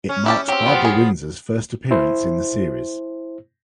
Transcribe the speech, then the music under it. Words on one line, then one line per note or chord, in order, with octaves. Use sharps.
It marks Barbara Windsor's first appearance in the series.
C#4
E4 G4 A5
F#3 C4 G4
F3 B3
G#4
E4 C5